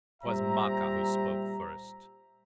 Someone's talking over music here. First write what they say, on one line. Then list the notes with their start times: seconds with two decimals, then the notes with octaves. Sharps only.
'Twas Maka who spoke first.
0.23 A#2 G3 C5 E5 G5 A#5